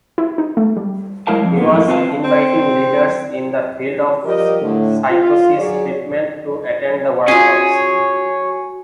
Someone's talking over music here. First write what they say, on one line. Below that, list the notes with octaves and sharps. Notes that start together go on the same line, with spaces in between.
He was inviting leaders in the field of psychosis treatment to attend the workshops.
E4
D#4
A3
G3
F#3 G#3 E4 A#4 F5 A5
F2
A#2 B3
F2 A2 D#3 G3 A3 A#3
C4 F4 B4 F5 A5
C4
F3 G3 G4 A#4 D5 D#5
A2 D3 A3
F4
F#3 G#4 C#5 D5
C#4 F4 F#4 G#4 C#5 G#5